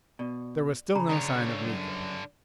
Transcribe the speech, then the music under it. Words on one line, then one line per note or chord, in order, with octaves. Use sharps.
There was still no sign of Miko.
B2 D5
C#3 A#5 B5
C2 G2 D3 C#5 A#5
F#2